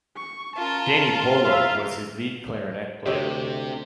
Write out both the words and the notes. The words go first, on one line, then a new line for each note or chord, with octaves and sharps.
Danny Polo was his lead clarinet player.
C#6
C#4 F4 A#4 A5
E5 F5
D2 C3 G4 C#5 D#5 E5